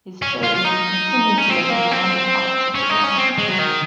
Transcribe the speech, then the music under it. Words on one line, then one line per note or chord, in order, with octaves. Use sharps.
His children continue to live in many parts of the world.
C#4
F4
F4
D#4
C#4
C4
A#3
C4
C#4
D#4
C#4
C4
G#3
F#3
D#3